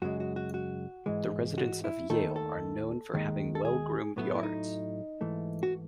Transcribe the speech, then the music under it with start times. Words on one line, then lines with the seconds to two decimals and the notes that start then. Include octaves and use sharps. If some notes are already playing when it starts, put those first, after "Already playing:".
The residents of Yale are known for having well-groomed yards.
0.02 F#2 C#3 G#3 F#4
0.20 F#4
0.36 F#4
0.54 F#4
1.06 G#2 E3 G#3
1.58 F#4
1.84 E4
2.10 D#2 D#3 A3 A4
2.36 A4
3.14 D#2 D#3 G#3
3.55 A4
3.65 G#4
4.17 A2 F#3 A3 B3
4.35 E4
4.43 D#4
5.21 G#2 E3 A3
5.63 F#4